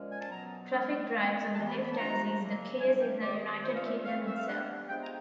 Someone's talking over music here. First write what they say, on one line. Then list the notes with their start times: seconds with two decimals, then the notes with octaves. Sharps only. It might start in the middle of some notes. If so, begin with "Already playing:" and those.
Traffic drives on the left as is the case in the United Kingdom itself.
Already playing: A#2 F3 G#3 C#4
0.11 G#5
0.20 A5
0.30 B2 F#3 B3 A#5
0.71 D#3 G#3 C#4
1.13 E3 G#3 B3
1.55 E3 G3 B3 A5
1.68 B5
1.83 B5
1.91 A5
1.97 C3 F3 A3 D4 A#5
2.38 C#3 F#3 A#3
2.80 C#3 E3 G3 A#3 D4 G#5
3.01 G5
3.21 C3 D#3 G3 D5
3.33 D#5
3.44 D5
3.63 A#2 F3 A3 C#4 C5
3.75 F5
3.84 E5
4.04 A2 E3 A3 C4 F5
4.26 E5
4.36 F5
4.46 E3 G3 B3 D4 F#5
4.89 F3 G#3 B3 D4 G5
5.02 A#5